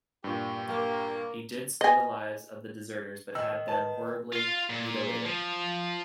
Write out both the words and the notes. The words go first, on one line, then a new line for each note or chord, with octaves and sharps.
He did spare the lives of the deserters, but had them horribly mutilated.
G2 A#2 G4
A#3 G4 A#4
D#5 G#5
D#3 E6
B4 A5
F4 F5
A#2
F3